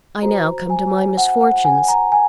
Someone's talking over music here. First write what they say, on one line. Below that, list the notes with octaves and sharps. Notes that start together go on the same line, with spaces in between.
I now come to my misfortunes.
F#4 C5 A#5
G#5
F#5
F#5
G#5
A#5
G#5